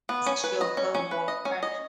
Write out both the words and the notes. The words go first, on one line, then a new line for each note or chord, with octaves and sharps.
she'll put more
B3
C#4
B4
D#5
C#4
C#4
B4
D#5
C#4
D#5